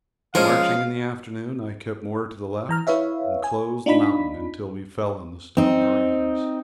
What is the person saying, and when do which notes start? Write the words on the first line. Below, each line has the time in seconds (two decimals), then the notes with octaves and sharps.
Marching in the afternoon, I kept more to the left, and closed the mountain till we fell on the stone moraines.
0.35 F3 G#3 C#4 A#4 F5
2.69 E3 A#5 F6
2.87 E4 B4 C#5 E5 F5
3.44 G#5
3.86 D4 D#4 F4 B5 B6
5.57 C4 D#4